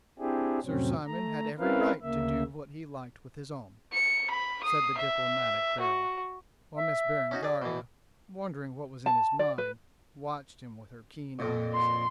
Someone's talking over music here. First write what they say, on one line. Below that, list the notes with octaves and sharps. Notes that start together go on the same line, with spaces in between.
"Sir Simon had every right to do what he liked with his own," said the diplomatic Beryl, while Miss Berengaria, wondering what was in his mind, watched him with her keen eyes.
C4 D4 E4 G4 G#4
F2 A2 C3 F#3 C4 C#4
A3 A#5
C4 C#4 E4 A#4 B4 F5
D2 C#3 A#3 E5
C#7
B5
D#6 C7
E5
F#4
E5
C#4 D#4 F#4
G#4 D5
B2 E3
A5
D5
B4
F2 A#2
C6